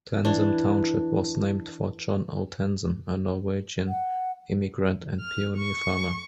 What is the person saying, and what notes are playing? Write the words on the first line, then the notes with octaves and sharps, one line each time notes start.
Tansem Township was named for John O. Tansem, a Norwegian immigrant and pioneer farmer.
E3 D4
F#5
F6
C#6